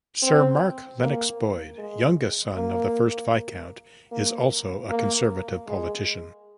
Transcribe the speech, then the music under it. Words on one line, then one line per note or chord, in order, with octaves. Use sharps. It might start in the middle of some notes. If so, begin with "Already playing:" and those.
Sir Mark Lennox-Boyd, youngest son of the first Viscount, is also a Conservative politician.
C4
A#3
G#3
A#3
A#3
A#3
G#3